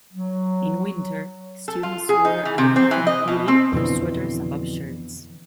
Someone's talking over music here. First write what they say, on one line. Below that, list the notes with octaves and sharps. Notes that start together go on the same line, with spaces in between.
In winter students wear a uniform hoodie or sweaters above shirts.
F#3
A4
F4
G#4
D#4
E3
C3
C4
E3
D#5
B2
C4
F2 B2 D3 E3